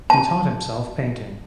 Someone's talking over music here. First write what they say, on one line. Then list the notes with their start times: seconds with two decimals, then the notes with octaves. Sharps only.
He taught himself painting.
0.10 A5